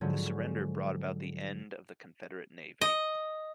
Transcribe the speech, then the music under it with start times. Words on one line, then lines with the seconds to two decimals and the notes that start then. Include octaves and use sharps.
This surrender brought about the end of the Confederate navy.
0.01 G#2 D3 F3 F#3 G#3 C#4
2.81 D#5